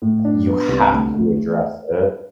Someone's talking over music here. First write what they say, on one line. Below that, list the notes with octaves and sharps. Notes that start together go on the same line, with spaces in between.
you have to address it.
A2
D4
B3
C2
D2
A3